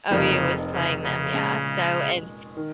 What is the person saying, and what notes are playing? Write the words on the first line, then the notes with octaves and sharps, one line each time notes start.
OU was playing them, yeah, so, and
F1 F2 C#3 F3 A#3 D#4
C#3
C#3
A#2 G#3 C#4
D#3